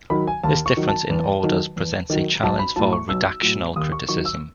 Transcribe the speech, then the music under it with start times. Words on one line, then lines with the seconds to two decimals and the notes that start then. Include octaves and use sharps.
This difference in orders presents a challenge for redactional criticism.
0.10 D#3 F#3 B5
0.27 G#5
0.43 D#2 A5
0.66 C#6
0.77 D#3 F#3
0.88 A5
1.10 E2
1.43 D#3 F#3
1.76 E2
2.10 D#3 F#3
2.43 B1 A5
2.59 B5
2.76 A2 F#3 A5
2.93 C#6
3.09 B1 E6
3.43 A2 F#3
3.76 D#2 D#6
3.92 C#6
4.09 D#3 F#3 C#6
4.25 E6